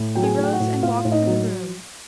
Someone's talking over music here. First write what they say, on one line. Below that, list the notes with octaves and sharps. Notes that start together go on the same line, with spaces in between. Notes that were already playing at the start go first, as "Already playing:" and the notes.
He rose and walked through the room.
Already playing: A2
F#3 G5
G#4 G#5
A2
G5
F#4 F#5
A2
A2 F4 F5
A2
D#4 D#5
F#3